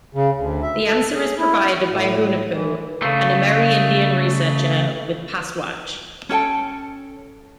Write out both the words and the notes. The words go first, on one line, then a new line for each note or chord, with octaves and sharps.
The answer is provided by Hunahpu, an Amerindian researcher with Pastwatch.
C#3
D2
E5
A4
G#4
E4
F#4
A2
E3
C#3 A3
C#4 A4 G5 A5